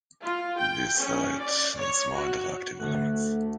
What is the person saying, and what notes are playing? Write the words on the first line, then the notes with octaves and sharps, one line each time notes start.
This site needs more interactive elements.
F4
G5
C#4
D5
C#5
F#4
D2 A3 F#4 F#6